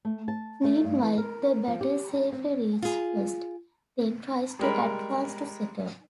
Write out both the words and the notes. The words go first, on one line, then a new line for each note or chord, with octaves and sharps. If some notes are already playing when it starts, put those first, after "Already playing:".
Meanwhile, the batter safely reaches first, then tries to advance to second.
A3
A5
A3
G2
E3
A#4
F3
G4
D4
C4
F4 G#4
G3 G#3 A#4 B5